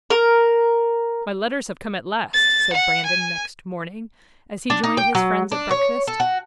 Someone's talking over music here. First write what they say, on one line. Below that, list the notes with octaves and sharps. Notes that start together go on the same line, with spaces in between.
"My letters have come at last," said Brandon, next morning, as he joined his friends at breakfast.
A#4
A6
F#5
G#5
D4
D#4
G5
F#3
D4
C#5
A4
F#4